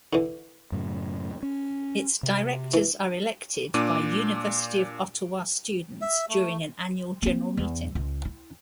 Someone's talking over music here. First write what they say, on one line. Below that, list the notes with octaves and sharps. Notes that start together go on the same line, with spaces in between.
Its directors are elected by University of Ottawa students during an annual general meeting.
D3 E3
F#2 A2 C#3
C#4
C3
E3
A#2 D4 D6 D#7
E5
A3
A#3 C4
E2
C#2
E4